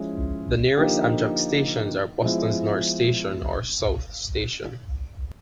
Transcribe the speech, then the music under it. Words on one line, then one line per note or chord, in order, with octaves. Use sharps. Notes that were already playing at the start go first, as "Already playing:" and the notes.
The nearest Amtrak stations are Boston's North Station or South Station.
Already playing: F3 G#3 C#4 E4
D3 F3 A#3 D#4 G4
F3 G#3 B3 E4